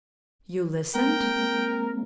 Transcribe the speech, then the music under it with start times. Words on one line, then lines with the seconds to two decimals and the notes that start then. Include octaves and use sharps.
"You listened?"
0.95 G#3 A#3 C4 A#4 G5